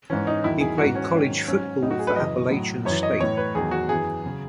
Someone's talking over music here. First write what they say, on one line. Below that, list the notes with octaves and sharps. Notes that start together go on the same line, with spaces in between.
He played college football for Appalachian State.
G#2 E3 C#4
D#4
E2 D#3 F#3 E4
G#4
G#2 E3 F#4
C#4
G#2 D#3 F#3
G#2 F#3 C#4
A2 F#3 D#4
F#4
G#4
B4
F#2 C#3 E3 D#5
A2 F#3
F#2 E3 C#5
D#5
A2 E3 C#5
B4
E2 D#3 F#3 G#4
F#4
F#2 E3 G#4
C#3 F#3